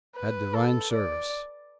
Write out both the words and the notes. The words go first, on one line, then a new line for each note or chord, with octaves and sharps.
Had Divine Service.
B4
A4
D5